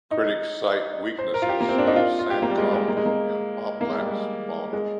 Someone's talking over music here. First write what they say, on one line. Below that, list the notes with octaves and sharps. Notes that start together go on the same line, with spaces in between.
Critics cite weaknesses of Sankoff and Poplack's model.
D#4
C5
A#4
F4
G4
A#3
C4
D4
D#4
F4
F4
G4
A#3
G3
G#3
G#3
A#3
G#3
A#3
A#3
G#3
G3
G#3
G#3